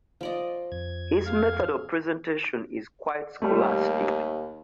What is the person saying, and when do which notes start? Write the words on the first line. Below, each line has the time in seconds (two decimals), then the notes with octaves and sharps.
His method of presentation is quite scholastic.
0.21 F3 D5 D#5
0.72 F2 G#6
1.26 F5
3.42 D#2 G3 A3